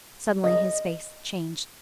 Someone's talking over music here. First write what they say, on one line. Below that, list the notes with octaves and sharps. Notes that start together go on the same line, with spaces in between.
Suddenly his face changed.
D#5